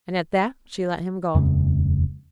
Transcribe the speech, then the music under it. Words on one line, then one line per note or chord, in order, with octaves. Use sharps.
And at that she let him go.
D#1 F2 C#3 G#3